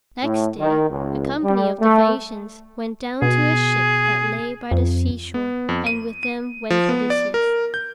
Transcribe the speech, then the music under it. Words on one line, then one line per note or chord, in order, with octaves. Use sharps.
Next day a company of the Phaeacians went down to a ship that lay by the seashore, and with them went Odysseus.
A2
D#3
C#2
G3
A3
B2 G#4
F2
B3
F2
D#7
D#7
F3
B3
D5
A#4
G6